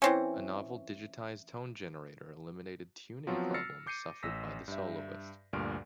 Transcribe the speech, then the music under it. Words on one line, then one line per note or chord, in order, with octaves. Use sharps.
A novel "digitized" tone generator eliminated tuning problems suffered by the Soloist.
E3 C4 C#4
F3 F#3 B3 C4 F4 F#4
E6 F6 A6 A#6 C7 C#7
D6 G6 C7 C#7 D#7
A1 E6 A#6 B6
G2 E5
D2 G2 A#2 C6 F6 D7